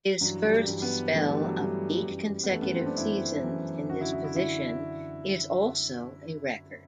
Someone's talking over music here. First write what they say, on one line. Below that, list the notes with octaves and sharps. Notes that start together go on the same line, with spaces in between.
His first spell of eight consecutive seasons in this position is also a record.
G2 E3 F#3
G3
G2 E3 G3
B3
G2 E3 A3
G3
F#3
G2 E3 G3
F#2 E3
B3
F#2 E3 A3
B3
C4
D4
F#2 E3 E4
F#2 E3
F#2 D3 F#4
E4
E4
E4
D3 E4